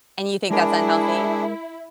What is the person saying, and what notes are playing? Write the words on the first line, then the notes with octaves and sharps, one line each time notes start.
And you think that's unhealthy?
G#3 D4 E4 G#4 A#4